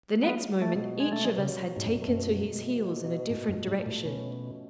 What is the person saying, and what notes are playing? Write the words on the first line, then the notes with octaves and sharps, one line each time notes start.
The next moment each of us had taken to his heels in a different direction.
F#3 B3
F#3
A3
B2
B2 G#3
A3
F#3 G#3
C#3
F#3
G#2 B2
F#2
A3
F#2
B2
B2
B2
B2
G#2 A3
F#2
F3
G#2
A3
A2
B2 C#4
C#4